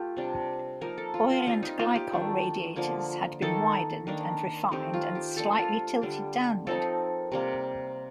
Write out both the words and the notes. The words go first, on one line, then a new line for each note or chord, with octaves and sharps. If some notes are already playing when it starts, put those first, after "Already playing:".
Oil and glycol radiators had been widened and refined and slightly tilted downward.
Already playing: A3 F4 G4
C3 G3 D4
F3 A#3 D#4 A#4
A4
F4
F4
G3 C4 D#4 F4
D#4
F4
G4
D#3 A3 D4
D3 F3 A#3
D#3 A#3 D#4 A4
D#3 A#3 D4
D#3 A3 C4 D#4 G4
F4
G4
F3 A#3 D4 A4
F4
D3 G3 D4
F3 C4 D#4 A4
C3 G3 A#3